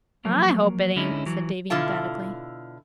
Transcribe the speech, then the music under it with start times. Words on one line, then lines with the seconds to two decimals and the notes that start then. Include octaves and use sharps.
"I hope it ain't," said Davy emphatically.
0.25 F3 F#3 A#3
0.96 D3 G#3 C#4 D#4 E4
1.26 E3 F#3
1.70 B2 D3 E4 F4 A5